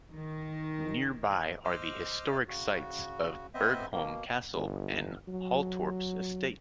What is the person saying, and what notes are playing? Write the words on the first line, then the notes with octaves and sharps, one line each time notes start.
Nearby are the historic sites of Borgholm Castle and Halltorps Estate.
D#3
C5 D#5 C6 D6 E6 F6
C#3 F#4
B3 C4 C5 D#5 E5
B2 A#3
G1
F#3